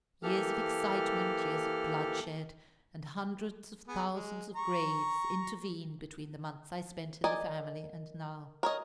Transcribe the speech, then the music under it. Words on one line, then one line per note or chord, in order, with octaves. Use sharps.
Years of excitement, years of bloodshed, and hundreds of thousands of graves intervene between the months I spent in the family and now.
E3 A#3 G4 A4 F6
B3 G#4
G#3
A#5 C#6
A#4 D5 D#5 G#5
A#4 C#5 D#5